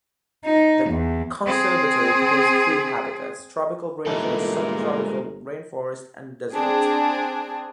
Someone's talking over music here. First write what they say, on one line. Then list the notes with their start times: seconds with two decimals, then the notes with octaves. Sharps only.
The conservatory contains three habitats: tropical rainforest, subtropical rainforest, and desert.
0.45 D#4
0.91 E2
1.45 C4 G#4
4.07 G1 A#2 E3 G#3 D#4 A4 A#4
6.53 C4 D4 G#4